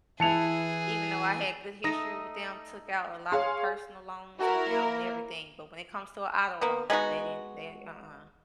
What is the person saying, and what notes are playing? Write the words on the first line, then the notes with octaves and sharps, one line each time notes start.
Even though, I had good history with them, took out a lotta personal loans with them and everything, but when it comes to a auto loan, they didn't they Uh-uh.
E3 E4 G#4 A5 C#7 F7
A3 D#4 D#6 A#6
G#4 C#5 F5 C6
E4 F#4 A#4
A#3
A#3 B3
G#3 B3 D#4 F#4